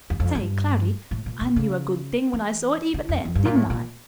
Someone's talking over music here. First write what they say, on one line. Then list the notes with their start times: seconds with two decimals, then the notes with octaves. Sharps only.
"Say, Cloudy, I knew a good thing when I saw it even then, didn't I?"
0.10 E2
0.20 F2
0.35 G2
1.11 A2
1.26 A#2
1.41 A#2
1.56 C#3
2.33 E3
2.94 D3
3.09 F2
3.25 F2
3.35 G2
3.45 A#2
3.55 A2
3.70 A#2